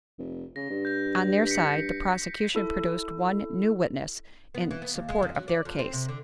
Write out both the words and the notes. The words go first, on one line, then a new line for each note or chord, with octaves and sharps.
On their side, the prosecution produced one new witness in support of their case.
F1
C#3 A#6
G2
G6 A#6
B6 C#7
E4 A4
B3
E3
B3
D#2
G#3
F2
F#3
D5
F2
C4
C3
D3